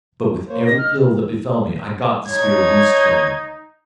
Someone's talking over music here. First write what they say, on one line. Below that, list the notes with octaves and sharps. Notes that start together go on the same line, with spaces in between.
But with every ill that befell me I got the spear loosed from him.
A#3 C5 C#5
C4 D#4 G4 A#6
D#5 F6
D#4 C#5 G#6